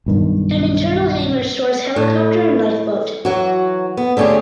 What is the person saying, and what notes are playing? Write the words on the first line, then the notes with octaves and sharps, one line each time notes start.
An internal hangar stores helicopter and lifeboat.
B1 G2 D#3
A2
E3 F#3 F#4
B3
D3 A3 C#4 G4 G#4